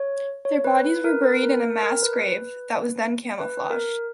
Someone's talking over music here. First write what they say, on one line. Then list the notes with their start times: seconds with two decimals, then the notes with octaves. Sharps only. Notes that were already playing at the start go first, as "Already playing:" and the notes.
Their bodies were buried in a mass grave that was then camouflaged.
Already playing: C#5
0.45 C#5
0.65 B4
0.84 B4
1.04 A#4
1.24 B4
1.43 A#4
1.63 A#4
1.83 A#4
2.03 B4
2.22 B4
3.40 B4
3.70 A#4